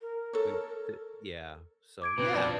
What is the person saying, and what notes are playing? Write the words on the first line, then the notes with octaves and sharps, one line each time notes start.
We the Yeah, so yeah.
A#4
A4 C#5
D6 G#6 D7
B2 C4 B4
F3 D4 D5